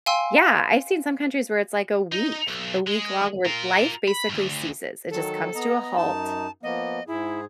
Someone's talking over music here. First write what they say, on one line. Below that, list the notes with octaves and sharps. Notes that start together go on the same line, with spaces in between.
yeah, I seen some countries where it's like a week, a week long where life basically ceases. It just comes to a halt,
F5 G5 G#5 C6 E6
D#4
B1
G#3
F4 A#4
B5
D2 G2
D#3 F#3 A4
B3 D#5 A#5
F#2 D#4 A5
F3 A#3 B3 D#5
G#2 E4 G#4